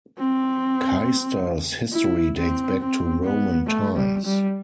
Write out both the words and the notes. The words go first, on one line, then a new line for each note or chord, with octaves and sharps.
Caister's history dates back to Roman times.
C4
E4
C4
C4
B3
A3
G3
G3